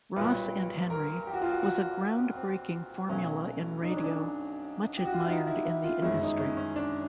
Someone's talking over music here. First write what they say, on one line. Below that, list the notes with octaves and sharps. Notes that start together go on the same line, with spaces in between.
"Ross and Henry" was a ground-breaking formula in radio; much admired in the industry.
B1 A#2 G3 B4
A#4
G4
F#4
F4
F#4
F#4
C4
B1 B2 F#3 A3 C#4
D#4
D4
C#4
D4
G4
F#4
F4
E4
D#4
E4
E4
F4
G1 F#2 D#3 G#3 E4
D#4
C#4
C#4
D4